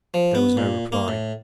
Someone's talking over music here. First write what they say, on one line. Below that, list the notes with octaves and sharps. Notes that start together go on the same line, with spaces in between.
There was no reply.
F3
B3
A#2
A#3
A2